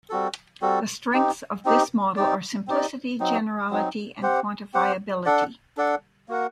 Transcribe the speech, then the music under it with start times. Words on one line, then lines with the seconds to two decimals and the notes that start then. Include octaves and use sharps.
The strengths of this model are simplicity, generality, and quantifiability.
0.10 G3 C4 F#4 A4
0.62 G3 C4 F#4 A4
1.13 C4 D#4 G4
1.65 C4 D#4 G4
2.17 C4 D#4 G4 D5
2.68 C4 D#4 G4 D5
3.20 F#3 C4 D#4
3.71 F#3 C4 D#4
4.22 C4 G4 C5 F#5
4.74 C4 G4 C5 F#5
5.25 D4 A4 D5 F#5
5.77 D4 A4 D5 F#5
6.28 A#3 F#4 A#4 F#5